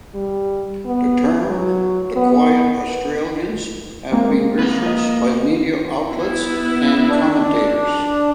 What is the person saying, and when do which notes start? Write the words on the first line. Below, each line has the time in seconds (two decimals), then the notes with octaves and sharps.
The term "The Quiet Australians" has been referenced by media outlets and commentators.
0.15 G3
0.86 B3
1.49 F#3
2.16 B3
4.11 G#3 A#3 C4
4.59 A#3 B4
4.86 D#5
6.11 B3 E4
7.09 D4